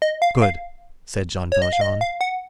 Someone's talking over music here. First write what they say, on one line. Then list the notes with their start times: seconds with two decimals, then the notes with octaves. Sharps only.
"Good," said Jean Valjean.
0.02 D#5
0.22 F5
0.42 F5
1.52 C#5
1.62 D#5
1.73 F5
1.81 D#5
2.01 F5
2.21 F#5